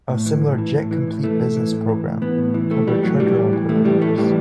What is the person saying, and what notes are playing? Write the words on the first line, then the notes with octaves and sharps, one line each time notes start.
A similar "Jet Complete Business" program covered charter operators.
A2
E3
A2
E3
A2
E3
A2
E3 A3
A2
E3
A2
E3
A2
E3 B3
A2
E3
A2 A3
E3 G3
A2 F#3
E3 G3
A2
E3
A2 A3
E3 G3
A2 A3
E3 G3